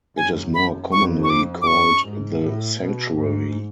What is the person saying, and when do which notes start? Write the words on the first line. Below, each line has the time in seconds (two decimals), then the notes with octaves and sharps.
It is more commonly called the sanctuary.
0.17 F#2 G#5
0.54 B5
0.91 F2 C#6
1.24 C#6
1.30 D6
1.62 D6
1.66 F#2 C#6
2.05 G#2
2.42 A2
2.79 B2
3.17 G#2